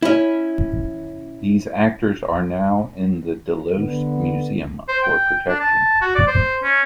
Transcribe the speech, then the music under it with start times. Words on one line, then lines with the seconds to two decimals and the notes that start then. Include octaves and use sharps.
These actors are now in the Delos Museum for protection.
0.02 C#4 E4
3.78 D3 B3
4.88 C5
5.03 G5
5.48 D4
5.60 A5
6.02 F#4
6.15 D5
6.27 C5
6.63 C#4